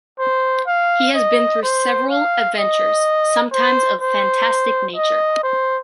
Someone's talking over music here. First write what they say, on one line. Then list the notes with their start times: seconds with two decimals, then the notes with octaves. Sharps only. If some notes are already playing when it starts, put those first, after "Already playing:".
He has been through several adventures,sometimes of fantastic nature.
0.20 C5
0.67 F5
1.15 D#5
1.63 C5
2.11 F5
2.58 D#5
3.53 C5
4.01 C5
4.96 D#5
5.43 C5